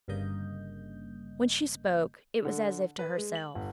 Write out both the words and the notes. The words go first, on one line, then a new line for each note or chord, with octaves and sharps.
When she spoke, it was as if to herself.
G1 G2 C#3 A#3 D#5 G6
D3
B4
G#3
F#7
G1